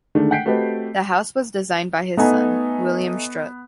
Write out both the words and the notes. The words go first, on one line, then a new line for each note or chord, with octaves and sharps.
The house was designed by his son, William Strutt.
D3 D#3 G#3 A3 D4
F#5 G5 G6 B6 C7 D7
A3 C4 F#4 G4 B4 D#5
A3 B3 D#4 G#5